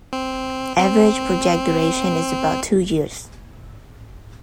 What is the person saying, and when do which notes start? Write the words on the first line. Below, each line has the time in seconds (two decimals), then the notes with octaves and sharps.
Average project duration is about two years.
0.13 C4
0.80 C4